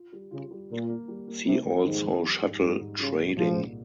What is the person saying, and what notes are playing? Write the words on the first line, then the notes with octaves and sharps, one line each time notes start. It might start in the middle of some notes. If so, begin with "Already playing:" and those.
See also Shuttle trading.
Already playing: F4
G3
C#3 F4
G3
A#2 A#3
A#3
G3
A#3
C3 G3
F2
G#2 D#3
F2
G3
G#2
G2 G3
G#2
C#3 G3
C2
A#2 F3
A#2